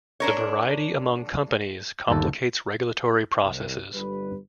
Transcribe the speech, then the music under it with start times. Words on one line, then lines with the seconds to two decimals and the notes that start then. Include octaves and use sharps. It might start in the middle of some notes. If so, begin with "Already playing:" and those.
The variety among companies complicates regulatory processes.
0.20 D4 A#4 C#5
2.09 G1 D#2 A4
3.44 C2
3.95 G1 G2 G3 B4